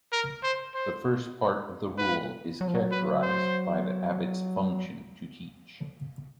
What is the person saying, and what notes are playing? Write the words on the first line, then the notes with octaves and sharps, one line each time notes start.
The first part of the Rule is characterized by the abbot's function to teach.
A#4
C5
C5
B4
F#3
F3
F#3
B4
C5